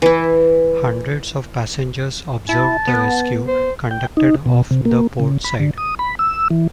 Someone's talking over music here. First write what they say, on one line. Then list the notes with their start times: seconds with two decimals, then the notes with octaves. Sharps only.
Hundreds of passengers observed the rescue, conducted off the port side.
0.02 E3 E4
2.49 E4 A5
2.88 B3
3.47 C5
3.91 G5
4.17 D#4
4.46 B2
4.71 C3
4.85 A#3
5.20 C#3
5.44 B5
5.60 D3
5.78 D#6
5.99 B5
6.19 E6
6.51 E3